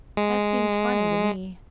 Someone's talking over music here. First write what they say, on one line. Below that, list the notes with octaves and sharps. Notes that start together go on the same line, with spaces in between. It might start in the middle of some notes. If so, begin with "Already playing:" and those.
That seems funny to me.
G#3